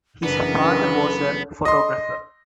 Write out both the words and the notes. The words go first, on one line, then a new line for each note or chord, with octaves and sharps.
His father was a photographer.
F#1 C#3 E3 B3 D4 A#4 B4
D#5 C6